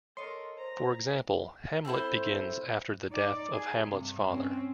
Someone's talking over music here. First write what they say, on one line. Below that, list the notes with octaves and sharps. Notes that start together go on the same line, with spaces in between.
For example, "Hamlet" begins after the death of Hamlet's father.
A4 A#4 C#5 D#5 C6
C5 A#5
A3 C4 E4 C5
D#4 D5
G#4
G2 C3
C4 C#4